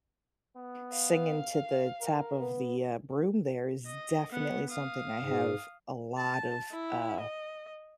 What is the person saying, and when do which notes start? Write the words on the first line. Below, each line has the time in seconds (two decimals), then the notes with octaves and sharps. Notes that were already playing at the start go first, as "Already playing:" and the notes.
singing to the top of the, uh, broom there is definitely something I have a lot of, uh,
0.56 B3
0.91 F5
2.01 A#4
2.40 B3
3.86 D#5
4.31 B3 F#5
4.70 F5 D#6
5.20 G#2
6.17 A5
6.71 E4
7.20 D#5